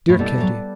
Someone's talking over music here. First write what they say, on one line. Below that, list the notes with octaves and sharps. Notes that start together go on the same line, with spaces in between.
Dear Katie!
A2
B2 G3 B3 E4 A4 D5
E3
F#3